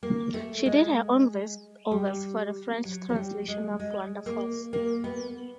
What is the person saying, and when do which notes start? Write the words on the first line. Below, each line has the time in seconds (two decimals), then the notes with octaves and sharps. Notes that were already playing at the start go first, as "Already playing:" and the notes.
She did her own voice-overs for the French translation of "Wonderfalls".
0.03 A#3
0.34 A3
0.66 G#3
1.92 G3
2.85 F#3
3.09 F#3
3.16 G3
3.48 G#3
3.79 G#3
4.26 A#3
4.73 A#3
5.04 B3